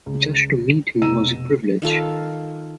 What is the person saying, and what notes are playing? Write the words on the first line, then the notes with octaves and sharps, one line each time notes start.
Just to meet him was a privilege.
C#2
F1 B2 A#5 E6 D#7
D#3 F4 A4 F5